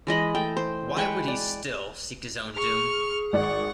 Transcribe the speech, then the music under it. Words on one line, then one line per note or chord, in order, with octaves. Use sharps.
Why would he still seek his own doom?
E3 G#3 D#5 B5
A3 G5
C5
G#3 B4 G5 C#6
D5
G#4 C#6 F6
G#1 D5 F#5 C#6